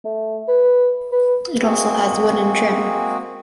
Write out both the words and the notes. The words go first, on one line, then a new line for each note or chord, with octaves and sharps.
It also has wooden trim.
A3
B4
B4
G#3 A#3 C4 F#4 G#4